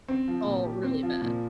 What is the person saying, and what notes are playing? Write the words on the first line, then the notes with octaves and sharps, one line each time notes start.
all really bad.
C4
F3
A#2
G4
C4
F3
A#2